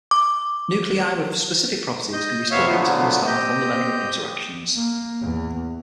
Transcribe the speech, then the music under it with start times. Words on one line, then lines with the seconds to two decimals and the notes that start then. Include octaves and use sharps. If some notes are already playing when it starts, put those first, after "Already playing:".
Nuclei with specific properties can be studied to understand fundamental interactions.
0.11 D6
2.13 D#5 G6
2.51 F2 C3 B3 C#5 E5 F5
2.67 A#2 D3 F3 F#3 A3 B3
3.27 C4 G4 D#5 G6
4.76 A#3
5.21 E2